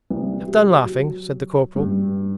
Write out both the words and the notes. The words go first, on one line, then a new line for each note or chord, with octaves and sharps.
'Have done laughing!' said the corporal.
C2
G4
F#3
G2